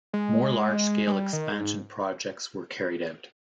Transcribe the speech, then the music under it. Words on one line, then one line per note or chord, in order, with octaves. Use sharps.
More large-scale expansion projects were carried out.
G#3
G#3
G3
D#3
G#2